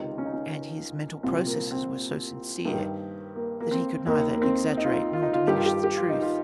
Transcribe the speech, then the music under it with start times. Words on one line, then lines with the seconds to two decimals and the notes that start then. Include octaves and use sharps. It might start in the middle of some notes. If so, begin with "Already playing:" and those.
And his mental processes were so sincere that he could neither exaggerate nor diminish the truth.
Already playing: C#2 C3 D#3 D#4
0.18 C#4
0.25 D#4
0.33 C#4
1.23 C2 A#2 C4
1.47 A#3
1.71 C4
2.65 G2 D#3
3.36 A#3
3.61 A#3
3.71 C4
4.06 D#2 D#3 A#3
4.35 A#3
4.42 C4
4.77 D#4
4.84 F4
4.92 D#4
5.13 F4
5.23 D#4
5.33 F4
5.48 G2 G4
5.52 D#3 F4
5.66 G4
5.84 G4
5.96 F4
6.09 D#4
6.22 F4